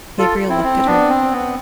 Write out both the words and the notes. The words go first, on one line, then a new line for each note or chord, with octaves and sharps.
Gabriel looked at her.
F4 A4
C4 E4
C4
B3 D4
C4
B3